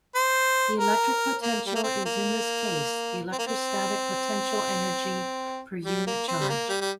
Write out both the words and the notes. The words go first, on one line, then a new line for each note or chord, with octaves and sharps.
The electric potential is in this case the electrostatic potential energy per unit charge.
C5
A#4
A#3
G3
A#3
C4
A#3
C4
A#3
C4
G3
A#3
C4
G3
A#3
G3
G3